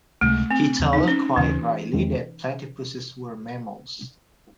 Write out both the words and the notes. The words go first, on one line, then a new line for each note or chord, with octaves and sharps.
He thought, quite rightly, that platypuses were mammals.
C#2 C3 D#3 G#3 A3
C4
D#2 C#3 E3
D#4
C#4
D#2 C#3 E3 G#3 C#4
E2 D#3 G#3 C4